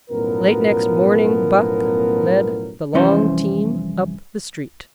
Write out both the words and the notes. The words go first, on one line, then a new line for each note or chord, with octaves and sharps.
Late next morning Buck led the long team up the street.
B1 F#2 A2 F3 B3 A#4
C2 F2 E3 C#4 C5